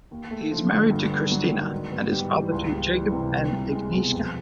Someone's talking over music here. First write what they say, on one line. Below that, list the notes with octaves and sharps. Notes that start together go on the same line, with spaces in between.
He is married to Krystyna and is father to Jakub and Agnieszka.
D#2
A3
F3
D3
G2
B3
F#3
D#3
G#2
B3
G3
E3
C#2
G3
E3
C3
C2
C2
G#3
B2
F2